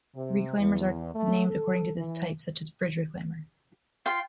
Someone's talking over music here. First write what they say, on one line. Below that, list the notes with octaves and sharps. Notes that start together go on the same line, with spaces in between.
Reclaimers are named according to this type, such as "Bridge reclaimer".
C3
E2
A3
A4
E3
F4 G5 C6